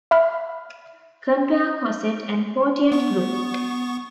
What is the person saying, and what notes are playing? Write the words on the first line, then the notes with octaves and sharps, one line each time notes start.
Compare coset and quotient group.
E5 B5 F6
B3 C#6